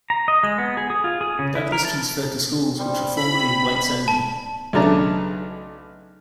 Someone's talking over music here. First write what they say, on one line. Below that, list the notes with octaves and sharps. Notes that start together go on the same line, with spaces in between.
Douglas transferred to schools which were formerly whites-only.
A#5
D#5
G#3
B3
G#4
G#4
F4
G#4
C#3
E4
A#4
A5
G3 C5
E4 B5
A5
B1 C#3 A3 D4 A5 A#5